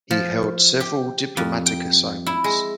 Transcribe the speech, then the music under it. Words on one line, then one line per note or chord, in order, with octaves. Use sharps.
He held several diplomatic assignments.
F3
G4
F2
G5
E4
G#3